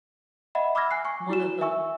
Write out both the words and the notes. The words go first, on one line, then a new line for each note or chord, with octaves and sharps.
one of the l
D#5 E5 F#5 B5
B5 D6 E6 F6 G#6 A#6
G#5 F#6 C7
G#5 C#6
E4 F#4 E7
E5 G#5 C#6 E6